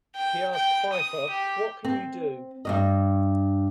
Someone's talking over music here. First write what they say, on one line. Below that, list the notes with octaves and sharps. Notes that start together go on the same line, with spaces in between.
He asked Feiffer, What can you do?
G5
G5
D#6
G4
C4
G2 C3 D#5